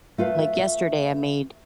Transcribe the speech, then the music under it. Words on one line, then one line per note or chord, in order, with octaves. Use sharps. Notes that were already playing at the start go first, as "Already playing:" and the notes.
like, yesterday, I made,
A3 F4 B4 F5